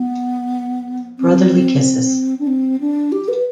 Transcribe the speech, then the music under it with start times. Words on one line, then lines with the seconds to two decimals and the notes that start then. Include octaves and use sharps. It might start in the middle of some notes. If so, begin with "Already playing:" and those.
Brotherly kisses.
Already playing: B3
1.19 C4
2.40 D4
2.47 C4
2.81 D4
3.12 G4
3.28 B4